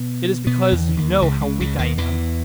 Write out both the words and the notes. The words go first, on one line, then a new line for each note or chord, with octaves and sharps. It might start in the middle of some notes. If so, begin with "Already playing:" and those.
It is because you know how weak I am!
Already playing: B2 B3
B2 B3
E2 E3
C#3
D#2 D#3
C#2 C#3
C#2 C#3
C#2 C#3
D#2 D#3
E2 E3